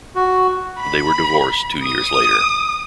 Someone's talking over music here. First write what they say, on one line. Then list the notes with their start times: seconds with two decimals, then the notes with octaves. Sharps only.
They were divorced two years later.
0.15 F#4
0.79 B5
1.83 D#6